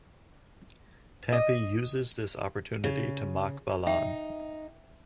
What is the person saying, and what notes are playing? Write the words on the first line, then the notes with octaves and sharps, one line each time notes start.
Thampi uses this opportunity to mock Balan.
D#5
C#3
D#4 E5 G5